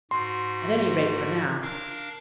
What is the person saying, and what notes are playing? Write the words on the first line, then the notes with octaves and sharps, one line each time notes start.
"At any rate, for now."
G#2 F#4 C6
D4 A#4 F5